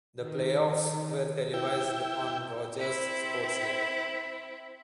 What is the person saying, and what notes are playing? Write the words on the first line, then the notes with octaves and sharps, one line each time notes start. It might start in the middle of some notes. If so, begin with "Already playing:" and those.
The playoffs were televised on Rogers Sportsnet.
D#3
E4 G5
C4 E4